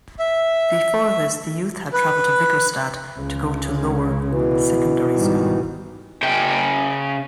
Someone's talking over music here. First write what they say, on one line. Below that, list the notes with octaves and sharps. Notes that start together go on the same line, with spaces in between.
Before this the youth had traveled to Vigrestad to go to lower secondary school.
E5
B4
C#2 C#3 G#3
B2 E3
G#2 D#3 G3
C#3 G5